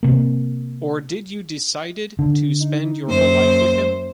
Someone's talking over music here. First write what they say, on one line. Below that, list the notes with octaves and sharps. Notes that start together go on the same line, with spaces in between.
Or did you decided to spend your whole life with him?
C3 A#3
D3
D#4
F#2 A#3 C5